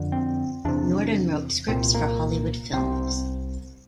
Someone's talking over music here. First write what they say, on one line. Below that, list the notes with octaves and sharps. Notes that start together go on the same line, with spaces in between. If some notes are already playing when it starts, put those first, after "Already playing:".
Norden wrote scripts for Hollywood films.
Already playing: F2 D3
C4
E2 C3 D4
C2 A#2 C4
A#3
C2 C3 C4